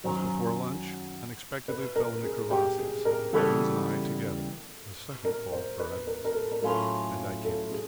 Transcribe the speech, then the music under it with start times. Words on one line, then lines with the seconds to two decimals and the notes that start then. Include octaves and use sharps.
Just before lunch unexpectedly fell into crevasses, Evans and I together--a second fall for Evans, and I camped.
0.04 F#2 D#3 F#3 C5
1.68 B4
1.96 A#4
2.23 G#4
2.51 G4
2.78 G#4
3.05 A#4
3.33 C#3 E3 G3 B3 A4
5.25 A#4
5.52 C5
5.80 B4
6.07 A#4
6.25 A#4
6.35 A4
6.52 A#4
6.62 A2 F#3 A3 C#4 F4 A4
7.44 A4
7.71 G#4